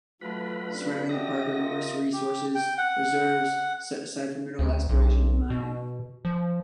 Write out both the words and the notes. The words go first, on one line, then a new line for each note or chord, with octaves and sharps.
Surrounding the park are numerous resources reserves, set aside for mineral exploration and mining.
F#3 A3 F4 B4 B5
C3 C#4 D4
F#4 G4 D#5 E5 F#6 A#6
A#3 F4
G4
G5
F#5
D2
B1
B2
F3